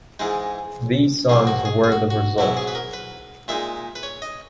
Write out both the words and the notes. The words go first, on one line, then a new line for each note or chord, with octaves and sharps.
These songs were the result.
G#2 E3 G#3 D#4
G#2 D#3 F#3 A#3 G#4
F#4
G#4
G#4
F#4
F#4
G#2 F#3 B3 E4 F#4
G#4
B4
A#4
B4
A#2 G#3 D#4 E5
B4
C#5
D#5